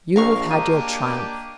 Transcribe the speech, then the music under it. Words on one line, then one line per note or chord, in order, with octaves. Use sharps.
"You have had your triumph."
A#1 A#4 F5 C#6
A#3 D4 G4 D#5 A#5 D#7